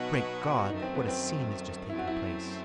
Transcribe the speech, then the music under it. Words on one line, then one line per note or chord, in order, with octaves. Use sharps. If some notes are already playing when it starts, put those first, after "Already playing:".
Great God! what a scene has just taken place!
Already playing: B2 F#3 B3 D#4 F#4 B4
F#2 D#3 F#3 A3 D#4
C4
B3
C4
F#2 F#3 A3 C4 E4
F#4
E4